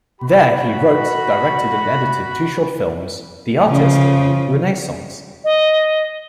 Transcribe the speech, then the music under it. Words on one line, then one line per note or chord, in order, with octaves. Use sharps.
There he wrote, directed and edited two short films, "The Artist" and "Renaissance".
F#4 B5
C#3 F3
D#5